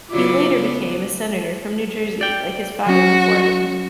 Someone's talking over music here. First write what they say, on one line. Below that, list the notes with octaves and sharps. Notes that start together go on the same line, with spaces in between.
He later became a Senator from New Jersey like his father before him.
C#3 F#3 E4 F4 D5
B3
D5 G5
F#3 C#4 F#4